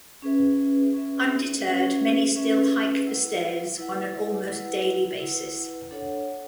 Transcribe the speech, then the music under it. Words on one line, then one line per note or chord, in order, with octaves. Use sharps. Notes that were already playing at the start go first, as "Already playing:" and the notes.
Undetered, many still hike the stairs on an almost daily basis.
C#4 G#4 B4 E5
C#4 G#4 B4 E5
C#4 G#4 B4 E5
C#4 G#4 B4 E5
E4 B4 F#5
E4 B4 F#5
E4 B4 F#5
E4 B4 F#5
D4 A4 C#5 F#5